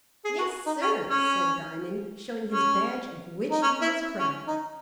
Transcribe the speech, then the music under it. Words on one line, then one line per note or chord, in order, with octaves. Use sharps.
"Yes, sir" said Diamond, showing his badge, of which, he was proud.
G#4
F#4
D#4
C#4
C#4
C#4
D#4
C#4
E4
E4
C#4
D#4